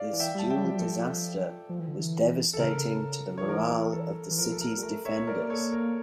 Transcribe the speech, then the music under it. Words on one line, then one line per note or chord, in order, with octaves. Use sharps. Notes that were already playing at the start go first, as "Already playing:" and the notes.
This dual disaster was devastating to the morale of the city's defenders.
Already playing: D5 F5
E3
E5 G5
G3 A5
E5 G5
G3
F3
G3
F3 A4
F3
E3
D3
E3
A4
C#3 A#4
F3 C#5
E3 A#4
A4
E3
F3 A#4
A4
A#4
G3
A3 A#4
C#5 E5
C#5
A#3 A#4 D5
A4 C#5
A#4